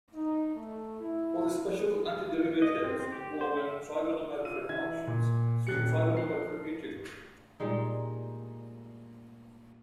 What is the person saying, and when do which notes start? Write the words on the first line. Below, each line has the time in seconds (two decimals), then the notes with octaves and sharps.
For the special antiderivatives involving trigonometric functions, see Trigonometric integral.
0.14 D#4
0.55 A3
1.00 E4
2.62 D#5
2.84 C4
2.99 C4
3.12 G4
3.41 C5
3.57 E5
4.45 F4 E6 D#7
4.69 E3 E5 G#6
5.07 A#2
5.67 D#1 F#6 C#7
6.13 F3 C7
7.60 A#2 G3 G#3 D#4